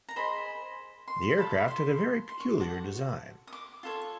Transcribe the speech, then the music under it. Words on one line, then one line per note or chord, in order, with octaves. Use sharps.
The aircraft had a very peculiar design.
A#5
G#4 C5 D#5 B5
C6
F4 A4 D5 B5
B5
C6
C6
C#6
D6
F#4 A4 D#6
D#6
D6
F4 A4 C#5